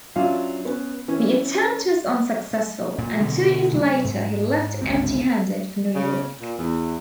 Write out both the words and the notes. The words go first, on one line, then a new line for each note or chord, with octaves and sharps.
The attempt was unsuccessful, and two years later he left empty-handed for New York.
F#3 C#4 D4 F4 E5 F5
B3 C#4
E3 C#4
A#2
B2 D3
C3 F#3 A3
G#2
G1 C#2 G#2 C4
C#3
A#2
E2